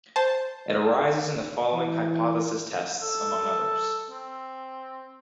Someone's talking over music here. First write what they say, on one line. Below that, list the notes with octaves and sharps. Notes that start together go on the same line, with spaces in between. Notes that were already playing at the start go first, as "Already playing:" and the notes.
It arises in the following hypothesis tests, among others.
C5 A5
E3
A4
C4